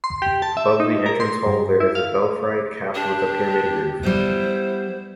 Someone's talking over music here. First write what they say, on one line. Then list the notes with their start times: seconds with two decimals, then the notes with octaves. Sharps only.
Above the entrance hall there is a belfry capped with a pyramid roof.
0.04 C6
0.22 G4
0.42 A5
0.57 E5
0.80 D#4
1.06 A#4
1.20 C6
1.46 G2
1.80 E4
1.95 F5
2.95 D4 G4
4.03 G3 B3 E4 C5